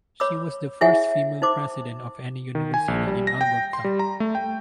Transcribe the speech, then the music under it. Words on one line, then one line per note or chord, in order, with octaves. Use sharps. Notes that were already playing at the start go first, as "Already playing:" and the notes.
She was the first female president of any university in Alberta.
C#5 B5 D6 E6
E4 G#4 C#5 E5 F#5 G#5
D#4 C5 D6
D#3
G#5
A#1
G3
A#6
G5
C6
G3
A#5
A3
G5